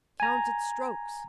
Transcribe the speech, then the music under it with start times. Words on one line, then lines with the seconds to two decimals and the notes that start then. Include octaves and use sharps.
Count its strokes.
0.20 G#5 A#5